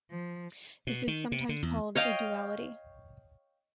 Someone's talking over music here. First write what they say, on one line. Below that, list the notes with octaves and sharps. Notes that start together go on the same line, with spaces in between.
This is sometimes called a duality.
F3
B2
D#3
C3
D3
E2
C#5 D#5 F5 G5